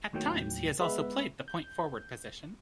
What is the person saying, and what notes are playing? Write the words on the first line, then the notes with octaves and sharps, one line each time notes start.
At times he has also played the point forward position.
D#2 A2 D#3 F#3 G5
G#3 B3 B4 E5
G6